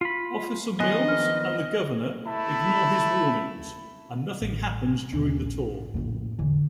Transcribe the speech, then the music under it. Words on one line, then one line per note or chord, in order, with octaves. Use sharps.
Officer Mills and the governor ignore his warnings, and nothing happens during the tour.
F4 B5
D#3 F3 B3 D#5 G#5 F#6 G7
F6
A3 E4 A5 B5
A1
D#2 B2
A#1 G#2
A#1 F2 A2 C#3 A#3
E1 A1 D3 E3